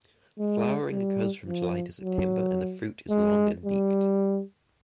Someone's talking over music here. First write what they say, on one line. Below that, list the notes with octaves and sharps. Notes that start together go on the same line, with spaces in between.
Flowering occurs from July to September and the fruit is long and beaked.
G#3
G3
F3
F#3
G#3
G3